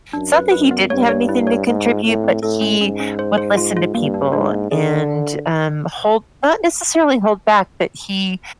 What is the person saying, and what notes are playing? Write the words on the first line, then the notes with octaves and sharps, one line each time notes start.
It's not that he didn't have anything to contribute, but he would listen to people, and, um, hold not necessarily hold back, but he
F#2 D4
B4
F#2 B4
B3
G2 C#5
C#5
E4
C#5
G#2 G#4
F4
A2 C4
C4
A2 A4
C#4
G#2 C#4
C#4
C5
C5
F4
F4
G2 A#3
D4
G#2 D4
A#3
D3 G#4